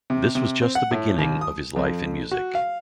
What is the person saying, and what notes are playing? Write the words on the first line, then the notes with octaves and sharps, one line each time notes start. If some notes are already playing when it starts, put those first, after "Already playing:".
This was just the beginning of his life in music.
C3
C3
C4
F#5
A2
D#2
D#6
F2
F#4
F5